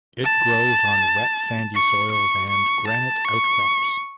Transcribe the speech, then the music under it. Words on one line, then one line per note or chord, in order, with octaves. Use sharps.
It grows on wet sandy soils and granite outcrops.
A5
C#6
C#6
C#6
A5
C#6